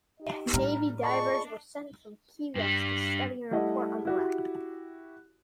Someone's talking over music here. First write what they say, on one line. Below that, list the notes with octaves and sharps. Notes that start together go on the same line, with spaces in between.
Navy divers were sent from Key West to study and report on the wreck.
D#4 G4 D#5
A2 G3 A#5 F6
F4 G#4 D5 D#5 A5 B5 C#6
G2 G3
G3 A3 E4 D#5 F#5
E4 F#4 G4